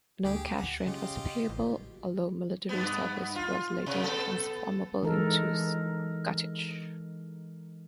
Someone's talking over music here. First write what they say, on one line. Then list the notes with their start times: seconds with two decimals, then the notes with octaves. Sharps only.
No cash rent was payable, although military service was later transformable into scutage.
0.24 D2 G4 G#4
0.57 F#5
0.86 C#3 F4 G4 D#5
1.49 A1
2.69 G2 B3
3.36 F4
3.86 C3
4.04 B3 A4
5.03 E3 G#3 D#4 A4 A#4